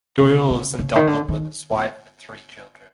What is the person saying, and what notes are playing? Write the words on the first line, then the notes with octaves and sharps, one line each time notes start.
Doyle lives in Dublin with his wife and three children.
C3
C#3
C#3
D#3
D3
D#3